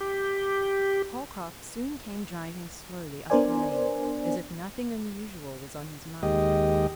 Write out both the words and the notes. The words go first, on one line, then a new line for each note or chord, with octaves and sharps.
Holcroft soon came driving slowly up the lane as if nothing unusual was on his mind.
G4
B3 D4 A#4 C5 D5 G#5
D#2 G#3 G4 D#5